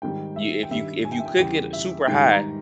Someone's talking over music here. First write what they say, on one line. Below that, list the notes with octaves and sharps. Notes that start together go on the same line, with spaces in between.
You if you c if you cook it super high,
G#2 D#3 G3 G5
E5
G5
G2 D#3 G3 E5
G#5
G5
E5
G5
E2 C#3 G3 G5
E5
G#2 D#3 G3 G5
A#5